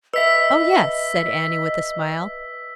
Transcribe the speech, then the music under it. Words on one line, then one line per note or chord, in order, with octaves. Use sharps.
"Oh yes," said Annie, with a smile.
B4 D#5 E5 E6 B6